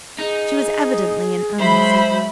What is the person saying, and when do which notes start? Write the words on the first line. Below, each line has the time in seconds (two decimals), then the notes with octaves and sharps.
She was evidently in earnest.
0.18 D#4 G#4
1.60 F#3 G#3 C5 E5 B5